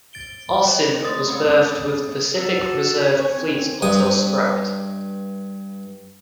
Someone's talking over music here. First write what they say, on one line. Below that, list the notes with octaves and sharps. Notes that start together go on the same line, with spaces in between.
"Austin" was berthed with the Pacific Reserve Fleet until scrapped.
A6 D7 G7
C#5 D#5
A3 D#6 A6
G#3 C4 C#4
F#4 A4
B4
C#6
C4 G#5
G2 D#6